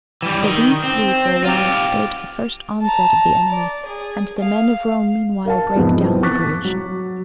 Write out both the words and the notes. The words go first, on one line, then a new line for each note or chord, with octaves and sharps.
So these three for a while stayed the first onset of the enemy; and the men of Rome meanwhile brake down the bridge.
E3 G3
D#3
C4
F4 G4
A5 A#5
D5
G#4
F5
A#4 F5 A5
E2 G#2 C3 F3 B3
C4 E4
C#6 D6 F#6 A6 B6
F#3